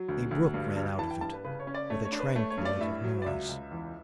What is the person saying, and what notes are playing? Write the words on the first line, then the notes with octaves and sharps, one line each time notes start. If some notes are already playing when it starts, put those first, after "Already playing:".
A brook ran out of it, with a tranquil little noise.
Already playing: F#3
D2
D2
G2
G2
E3 A5
G5
G2 A5
B4
C#3 B4
C#5
C#4
D5
A3 C#5
C#5
D4
B4
A3 C#5
C#5
G2
D5
A2 E5
F#3
D5
C#2 E5
C#2
E2